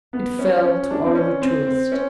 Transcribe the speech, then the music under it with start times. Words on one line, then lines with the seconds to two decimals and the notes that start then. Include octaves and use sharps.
It fell to Oliver Twist.
0.13 B3
0.39 C#4
0.64 C#4
0.91 D4
1.05 C4
1.15 C#4
1.42 C4
1.67 C4
1.92 C#4